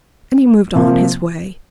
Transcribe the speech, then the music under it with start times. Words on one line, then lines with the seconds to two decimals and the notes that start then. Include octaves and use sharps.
And he moved on his way.
0.75 C3 F3 A#3